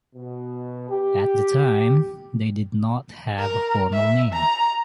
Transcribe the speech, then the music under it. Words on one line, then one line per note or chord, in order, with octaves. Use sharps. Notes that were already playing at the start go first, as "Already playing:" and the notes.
At the time, they did not have a formal name.
B2
G4
A#4
E5
A#5